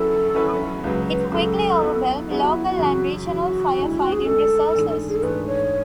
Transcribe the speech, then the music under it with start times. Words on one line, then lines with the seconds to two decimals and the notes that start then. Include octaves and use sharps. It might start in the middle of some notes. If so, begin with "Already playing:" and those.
It quickly overwhelmed local and regional firefighting resources.
Already playing: F#3 C#4 E4 A4 B4
0.34 F#3 C#4 E4 B4
0.84 C#2 C#3 F#3 B4
1.08 B4
1.32 C#2 C#3 F#3 A4
1.81 F#3 B3 E4
2.30 F#3 B3 E4 G#4
2.43 F#4
2.56 E4
2.68 F#4
2.78 F#2 C#3 E3
3.27 F#2 C#3 E3 F#4
3.77 D2 D3 G#3
3.86 E4
3.99 F#4
4.12 G#4
4.25 D2 D3 G#3 A4
4.75 G#2 E3 A3 D4 G#4
5.09 G#4
5.16 A4
5.23 G#2 E3 A3 D4 G#4 B4
5.47 C#5